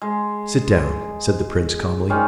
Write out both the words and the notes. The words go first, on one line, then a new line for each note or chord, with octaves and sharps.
"Sit down," said the Prince calmly.
G#3
D#3 G3 G#3 C#4